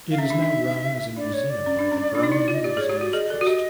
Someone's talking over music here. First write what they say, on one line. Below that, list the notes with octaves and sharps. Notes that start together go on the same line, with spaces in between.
It is now run as a museum by the Birmingham Museums Trust.
F5
C#4 E5
D4
D#4
D4 D5
C#5
D5
C#4
D4
C#4
D4
D#4
E4
F4
D#5
G4 D5
G#4 C#5
G4
F#4 D5
G#4 D#5
A4 D5
F#4
G4 D#5